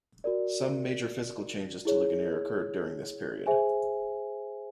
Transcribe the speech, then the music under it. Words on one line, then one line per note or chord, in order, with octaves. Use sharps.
Some major physical changes to Ligonier occurred during this period.
F#4 A#4 D5
E4 G#4 C#5
G#4 C5 E5 G#5